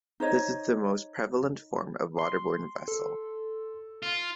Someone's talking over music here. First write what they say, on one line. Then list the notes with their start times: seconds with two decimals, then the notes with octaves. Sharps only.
This is the most prevalent form of waterborne vessel.
0.20 D#4 C5 C#5 D#5
2.19 C6
2.88 A4
4.02 F4